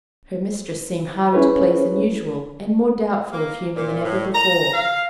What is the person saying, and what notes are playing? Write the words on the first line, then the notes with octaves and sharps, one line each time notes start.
Her mistress seemed harder to please than usual, and more doubtful of humor than ever before.
C#4 E4 G#4 B4 C#5
A#3
A#2
A2
A#5
F5